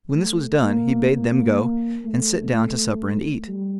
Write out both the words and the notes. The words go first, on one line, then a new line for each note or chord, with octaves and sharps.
When this was done, he bade them go and sit down to supper and eat.
A3
A#3
A#3
A3
A3
G3